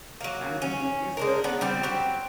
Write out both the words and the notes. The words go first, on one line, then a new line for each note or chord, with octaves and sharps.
And the natives were very kind.
F#3 A#3
C#4
G#3 D4 A#4
B3 D5
G3 C4
F#3 C4 G4